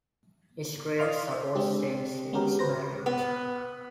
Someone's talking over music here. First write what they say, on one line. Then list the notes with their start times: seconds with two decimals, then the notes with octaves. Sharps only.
Israel supports same-sex marriage.
0.99 D5 D#5 F5 C6 F6
1.31 C5 E5
1.55 G#3 C4 D4 G4 G#4
2.33 G#3 B3 C#4 F#4 G4 A#4
2.59 B4 C5 A#6
3.06 B3